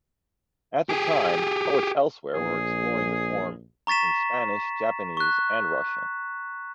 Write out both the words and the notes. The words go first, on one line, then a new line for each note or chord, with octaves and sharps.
At the time, poets elsewhere were exploring the form in Spanish, Japanese and Russian.
G4 G#4
A#1 G#4
A#5 C#6 A6 B6 E7
C#6 F#6